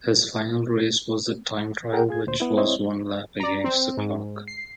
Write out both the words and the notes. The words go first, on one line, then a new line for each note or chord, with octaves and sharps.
His final race was the time trial which was one lap against the clock.
G#4 A#4 F#5 G5
F4 G#4 G#6
D2 A#2 C5
B3 E4
G#3 C4 E4 C5 C#5 D#5
D5 A#5
C4
G#2
C7